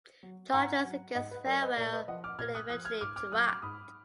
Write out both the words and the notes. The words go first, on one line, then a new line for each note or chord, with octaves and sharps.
Charges against Farrell were eventually dropped.
F#3
G#2 F#5 A#5
F#3
G#2 D#5 F#5
B4
F#3 A#4 D5
B4 D#5
A#2 A#4 D5
B4 D#5
F3 D#5 F#5
D6 F6
A#2 F6 G#6
D#6 F#6
F3 D#6 F#6
F6 G#6
G#2 D6 F6
D6 F6
F#3 D#6 F#6
D6 F6
G#2 B5 D#6